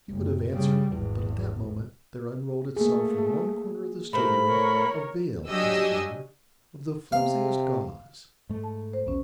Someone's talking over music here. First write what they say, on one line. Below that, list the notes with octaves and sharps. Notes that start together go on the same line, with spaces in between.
He would have answered, but at that moment there unrolled itself from one corner of the studio a veil, as it were, of the flimsiest gauze.
F#1
C#3 G3
G#1 E2
A3 A#3 G#4
G#4
A2 A3 G4 A#4 C5 B5
A#4 C#5
F#3 D4 G4 D#5 G#5 E6
C3 F5
G#2 A3
A5
C5
B1 E2 B3 C#4